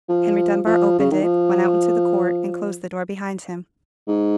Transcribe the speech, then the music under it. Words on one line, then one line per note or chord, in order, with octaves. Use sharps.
Henry Dunbar opened it, went out into the court, and closed the door behind him.
F3
F3
C#3
D#3
F3
G#2